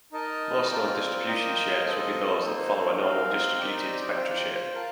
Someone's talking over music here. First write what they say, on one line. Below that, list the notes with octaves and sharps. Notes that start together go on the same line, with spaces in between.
Most known distribution shapes would be those that follow a normal distributed spectra shape.
D#4 A#4 D#5 A5
C4 F4 A#4 D5 G5
F4 A#4 D#5 G5
C4 F4 A4 D#5
A#3 D#4 A4 C5
C4 D#4 A#4 F5
C4 D#4 G4 D5 G5
F4 C5 G5
F4 A#4 F5 A5